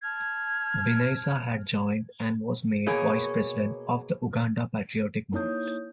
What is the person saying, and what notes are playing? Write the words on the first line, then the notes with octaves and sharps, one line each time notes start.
Binaisa had joined, and was made vice president of the Uganda Patriotic Movement.
A5 F6 G#6
B2 A#3 G#4 C#5
A#3 D#4 E4 C#5 D#6 G6